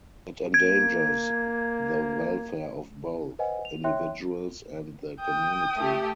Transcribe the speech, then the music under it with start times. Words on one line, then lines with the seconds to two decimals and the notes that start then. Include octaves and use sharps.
It endangers the welfare of both individuals and the community.
0.54 A#3 G#6
3.39 B4 C5 D#5 F#5 G#5
3.65 F7
3.84 C#5 E5 G5 C6 F#6
5.20 G5 D#6
5.77 A3 G4